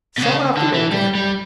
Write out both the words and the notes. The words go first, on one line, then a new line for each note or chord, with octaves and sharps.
'Sell out the old gambler!
B2
C#3
D3
E3
G3
G3